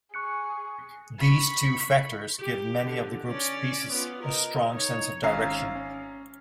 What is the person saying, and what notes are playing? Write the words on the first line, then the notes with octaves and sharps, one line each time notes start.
These two factors give many of the group's pieces a strong sense of direction.
G#4 C#6 F#6 C#7
B5 C#6
G4
D3
C#4 D5
B3 F4
A#4 D#5
D#4 C#5
G#1 C#4 F5 A#5 C7
C#4